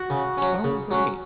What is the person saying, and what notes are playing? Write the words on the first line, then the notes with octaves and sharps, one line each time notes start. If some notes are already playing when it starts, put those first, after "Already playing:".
Oh, great.
Already playing: F#4
C#3
F#3 C#4
C#3
F#3 C#4